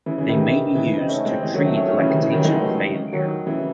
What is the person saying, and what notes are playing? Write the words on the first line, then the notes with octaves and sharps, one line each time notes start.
They may be used to treat lactation failure.
C#3 E3
C#3 E3
C3 D#3
C#3 E3
C#3 E3
C4 D#4
A3 C#4
G#3 C4
E3 G#3
D#3 F#3
F#3 A3
A3 C#4
A3 C#4
C#3 E3
C3 D#3
C#3 E3
D#3 F#3
E3 G#3
F#3 A3
D#3 F#3
C#3 E3